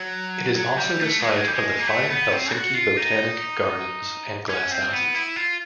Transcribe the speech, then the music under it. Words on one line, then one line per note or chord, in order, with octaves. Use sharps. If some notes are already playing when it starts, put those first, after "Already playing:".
It is also the site of the fine Helsinki Botanic Gardens and glasshouses.
Already playing: F#3
F#3
G3
A3
G#3
A3
G#3
G3
G#3
A#3
A3
B3
C4
F#4
F4
D#4
C#4
C4
B3
E4
F4